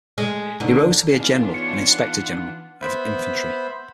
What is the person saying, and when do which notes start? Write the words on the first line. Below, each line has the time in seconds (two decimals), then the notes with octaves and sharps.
He rose to be a general and inspector-general of infantry.
0.18 G#3
0.60 D#2 D3
1.14 E3 B3 D4 D#4 F4 G#4 F5
1.54 C#5 C#7
1.89 F#5
2.82 B3 C5 E5 B5